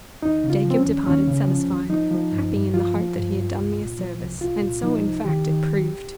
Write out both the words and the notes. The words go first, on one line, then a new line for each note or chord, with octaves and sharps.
Jacob departed satisfied--happy in the hope that he had done me a service; and so in fact it proved.
D#2 D#4
C#3
F4
F3
C4
C#4
D#2
D#2 C#4
C#3
F3
D#2
F3 D#4
F3
G2
G2
F3 F4
F3
G2
G2
C2
A#2
F3
C2
C2 F4
A#2
F3 D#4
C2
D#3 G4
D#3